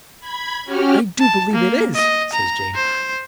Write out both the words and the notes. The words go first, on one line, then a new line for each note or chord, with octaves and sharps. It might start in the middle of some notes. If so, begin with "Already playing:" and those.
"I do believe it is," says Jane.
B5 G#6
C#4 F#4 G4 F6
A5
A#3
D#5
A#5
C5